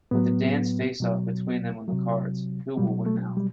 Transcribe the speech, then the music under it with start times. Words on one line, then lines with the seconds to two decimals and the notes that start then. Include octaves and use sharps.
With a dance face-off between them on the cards, who will win out?
0.11 A2 F#3 B3
1.00 B2 F#3
1.88 C3 F#3
2.77 B2 F#3 G3
3.06 A3
3.37 G3